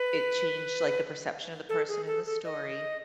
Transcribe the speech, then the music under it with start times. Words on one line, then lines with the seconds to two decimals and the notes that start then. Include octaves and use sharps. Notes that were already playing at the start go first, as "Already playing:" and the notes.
It changed, like, the perception of the person in the story,
Already playing: B4
1.69 A4
1.88 G#4
2.07 A4
2.26 A4
2.44 D#5